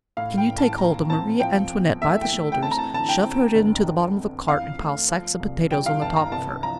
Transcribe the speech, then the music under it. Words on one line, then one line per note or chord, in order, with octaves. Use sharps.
Can you take hold of Marie Antoinette by the shoulders, shove her into the bottom of a cart and pile sacks of potatoes on the top of her?
A2 F5
G5
A1
A5
A#2 A#5
C4 A5
F3 G5
E2
A3 E5
G5
A3
G5
C4 A5
A#5
A5
D3 A5
G5
C4
G1
D3
F2
F2 F5
A3
F3
C2
G3 G5
F5
G1 A5
A#5
C2 A5
F3 A#5